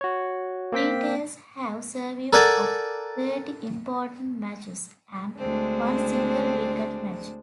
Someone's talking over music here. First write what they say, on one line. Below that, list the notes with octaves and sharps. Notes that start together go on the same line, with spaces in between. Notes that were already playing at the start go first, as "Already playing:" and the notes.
Details have survived of thirty important matches and one single wicket match.
F#4 C#5
A#3 C4 G5 B6
A4 A#4 D5 F#5 G#5 A5
D2 G#3 C4 D4